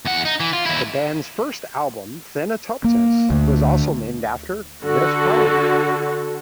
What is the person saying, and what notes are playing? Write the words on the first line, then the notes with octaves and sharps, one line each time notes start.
The band's first album, "Thanatopsis", was also named after this poem.
E2 F#5
D#4
E3
F4
D#2 E4
A#3
D2
D3 F#4 A4